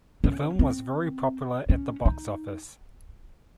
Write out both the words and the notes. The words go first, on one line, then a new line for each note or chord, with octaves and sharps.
The film was very popular at the box office.
C#4
C4
C#4
D#4